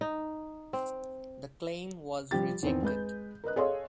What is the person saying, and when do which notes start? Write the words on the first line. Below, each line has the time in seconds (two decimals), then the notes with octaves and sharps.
The claim was rejected.
0.01 D#4
0.73 C4
2.31 F3 G3 G4 A6
2.63 E2 D#3 C4
2.83 G#3 B4 G6
3.44 A#4 B4 D#5 F#6
3.56 G#4 A4 C#5 D#5 F5 C6